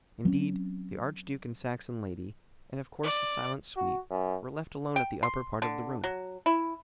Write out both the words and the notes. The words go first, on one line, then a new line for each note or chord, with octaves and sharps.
Indeed, the archduke and Saxon lady, and of course the silent suite, were left alone at the upper part of the room.
F#3 C4 C#4
D5
F#4
F#2
G5
C6
D3
F#3
E4